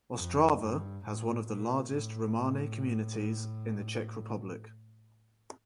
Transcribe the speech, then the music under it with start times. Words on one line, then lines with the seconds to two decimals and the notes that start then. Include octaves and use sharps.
Ostrava has one of the largest Romani communities in the Czech Republic.
0.16 F2
0.60 G2
1.04 A2
1.48 A#2
1.93 A2